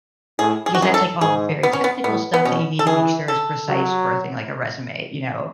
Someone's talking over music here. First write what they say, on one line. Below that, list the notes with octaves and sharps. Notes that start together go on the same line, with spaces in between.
Because that's, like, all very technical stuff that you need to make sure is precise for a thing, like, a resume, you know,
A2 G#4
G#4
F#4
F#2 G#4
A4
G#2 G#4
B3
C#4
B3
A2 B3
B3
B2 C#4
A4
E3 G#4
A4
F#3